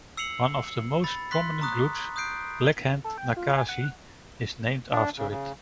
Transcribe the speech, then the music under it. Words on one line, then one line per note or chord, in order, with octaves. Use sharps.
One of the most prominent groups, Blackhand Nakasi, is named after it.
E6 C7 C#7 F7 F#7
B5 A6
C6 F#6 B6
A#5 C#6 D#6 F#6
D#6 F#6 G6 C7 D7
A4
G5
F4
G#5
F#5
D4
C#3
C#3